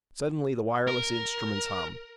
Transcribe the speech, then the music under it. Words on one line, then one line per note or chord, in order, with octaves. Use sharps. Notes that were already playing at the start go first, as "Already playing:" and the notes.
Suddenly the wireless instruments hummed.
A#4